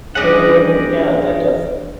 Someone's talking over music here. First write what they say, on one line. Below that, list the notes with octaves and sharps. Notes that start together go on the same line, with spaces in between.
Ooh, yeah, that does
G3 C#4 D4 G#4 D5 D#5 F#5